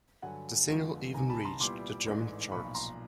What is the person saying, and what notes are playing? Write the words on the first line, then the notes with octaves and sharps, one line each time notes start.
The Single even reached the German Charts.
G2 D3 F#3 F#5 G#5
G1 F2 D3 F3 G#3
C2 C3 D#3 G#5 A#5
A5 B5
A#5 C6
A#2 G3 B3 E4 C6 D6
A1 G#2 E3 A3 D4
B1 A#2 F3 B5 C#6
A#5 C6